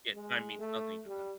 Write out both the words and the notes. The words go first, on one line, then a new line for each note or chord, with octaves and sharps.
yeah, time means nothing to them.
G#3
A3
G3